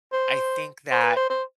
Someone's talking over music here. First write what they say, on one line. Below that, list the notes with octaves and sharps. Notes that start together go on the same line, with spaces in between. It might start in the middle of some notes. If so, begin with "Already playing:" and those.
I think that,
C5
C5
B4
C5
C5